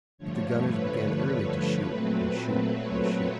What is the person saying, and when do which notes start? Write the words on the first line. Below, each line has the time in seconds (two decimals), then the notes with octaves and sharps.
But the gunners began early to shoot, and shoot, and shoot.
0.18 G2 D3 F3 A3 C#5
0.60 B4
1.86 A#2 F#3 A3 C4
2.70 C#5